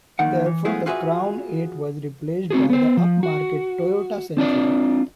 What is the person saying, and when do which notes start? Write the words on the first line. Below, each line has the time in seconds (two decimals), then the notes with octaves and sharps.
Thereafter the Crown Eight was replaced by the upmarket Toyota Century.
0.19 D#2 D#3 F#5
0.46 E3
0.65 F3 G#3 A3 B3 E4 G#4
0.86 F4 F#4 G#4 B4 D#5 E5
2.51 C4 F#4 G#4
2.70 B3 C5
2.97 F3
3.23 F#4
4.37 C4 D4 F4 D5